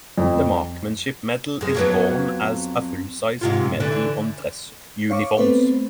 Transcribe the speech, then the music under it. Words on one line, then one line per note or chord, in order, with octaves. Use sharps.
The Marksmanship Medal is worn as a full-sized medal on dress uniforms.
F2
F#2 G#3
F2 F#3 B3
G#2 C3 F4
D3 E3 D4
C#5 F5 C#6 D6
A3 B3 C4 B4 C5